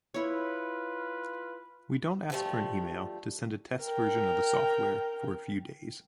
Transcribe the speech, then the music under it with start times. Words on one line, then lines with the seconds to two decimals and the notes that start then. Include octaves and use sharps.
We don’t ask for an email to send a test version of the software for a few days.
0.14 E4 F4 B4 C#5
2.30 D2 G2 F3 G3 A3
3.83 A#4 G5